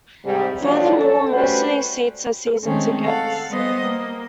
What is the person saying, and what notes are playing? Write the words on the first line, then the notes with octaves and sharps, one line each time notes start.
Furthermore, most of those seats are season tickets.
G#2 C3 G3
D#2 D3 F3 F#3 D4
A4
G3 A3 C#4 F#4 B4 C5
D#3 G#3 A3 C4 C#4
A4 F5 F#5
G3 B3 C5 D#5
A#3